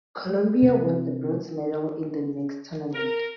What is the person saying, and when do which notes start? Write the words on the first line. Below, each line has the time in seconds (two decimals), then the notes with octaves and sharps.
Colombia won the bronze medal in the mixed tournament.
0.62 C3
2.94 A#4